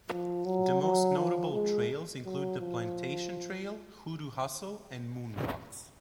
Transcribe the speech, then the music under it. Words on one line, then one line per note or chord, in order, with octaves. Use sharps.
The most notable trails include the Plantation Trail, Hoo Doo Hustle and Moon Rocks.
F3
F#3
F#3
F3
G#3
F#3
F3